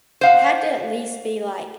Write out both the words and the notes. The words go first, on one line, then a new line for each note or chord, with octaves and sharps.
had to at least be, like,
C5 F5 F#5